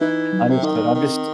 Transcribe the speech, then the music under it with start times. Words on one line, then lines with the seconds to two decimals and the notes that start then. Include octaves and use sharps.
Understood, I'm just
0.01 E3 D#4
0.33 F#3
0.50 C3
0.63 D#3 D#4
0.95 D#3 C4